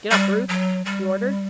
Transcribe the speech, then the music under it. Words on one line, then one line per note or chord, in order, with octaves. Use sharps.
"Get up, Ruth," he ordered.
G3
F#3
G3